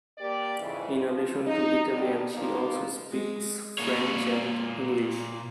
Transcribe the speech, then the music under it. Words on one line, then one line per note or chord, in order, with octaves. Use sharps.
In addition to Italian, she also speaks French and English.
A#3 G4 D5
F2 G#2 C#3 E3
F3
D#4
G2 B2 D3 D#3 G3
D#3 F3 A#3 D4 D#4
G#3
A#2 C#5